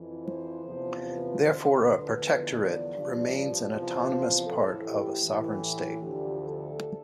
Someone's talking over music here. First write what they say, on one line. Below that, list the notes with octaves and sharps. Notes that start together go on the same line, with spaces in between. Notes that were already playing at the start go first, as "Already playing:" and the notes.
Therefore, a protectorate remains an autonomous part of a sovereign state.
Already playing: F2 E3
C5
E2 C3 F3
B4
D2 D3 F3 C5
B4
E2 D3 F3
D5
G2 F3
E2 C3 F3 C5
A2 E3 A4
G4
A2 E3
D2 D3 F3 G4
A4